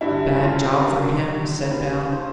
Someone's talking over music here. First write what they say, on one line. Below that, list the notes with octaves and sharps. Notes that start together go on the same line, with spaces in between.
"A bad job for him," said Bell.
G2 D3 G3 E4
F4
B4
D#2 D3 F#3 A#4
D#2 D#3 G3 B4
C5